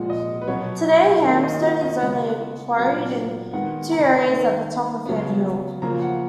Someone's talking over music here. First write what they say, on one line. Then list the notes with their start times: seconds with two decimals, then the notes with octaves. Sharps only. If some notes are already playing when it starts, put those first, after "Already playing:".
Today hamstone is only quarried in two areas at the top of Ham Hill.
Already playing: A#2 F3 G#3 F#5
0.10 D#5
0.41 B4
0.47 B2 F#3 B3 C#5
1.24 D#3 A#3 C#5
1.43 D#5
1.57 F4
1.62 F#4
1.81 D#5
2.00 C#3 G#3 B3 F#5
2.77 A#2 F#3 B3
3.53 D#3 G#3 B3 F#5
3.92 A#5
4.03 B5
4.13 A#5
4.29 D#3 A#3
5.06 C#3 F#3 B3
5.82 C#3 F3 A#3 A#5
6.01 F#5